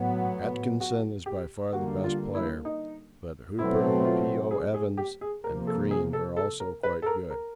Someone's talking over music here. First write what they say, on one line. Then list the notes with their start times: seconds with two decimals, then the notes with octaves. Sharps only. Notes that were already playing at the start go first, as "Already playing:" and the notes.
Atkinson is by far the best player, but Hooper, P.O. Evans, and Crean are also quite good.
Already playing: A2 F#3 B3
0.80 F#4
1.26 G4
1.73 D3 G3 A#3 F#4
2.04 F4
2.35 E4
2.65 D#4
3.59 B2 F#3 A3 C4 E4
4.05 F4
4.51 G#4
4.74 G#4
4.97 G4
5.21 G#4
5.44 C3 F3 A#3 A#4
5.67 A4
5.91 G#4
6.13 A4
6.37 A4
6.60 A#4
6.83 B4
7.02 A4
7.06 A#4
7.31 A#4